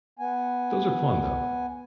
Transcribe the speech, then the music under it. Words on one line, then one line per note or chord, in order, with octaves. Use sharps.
Those are fun, though.
B3 G#5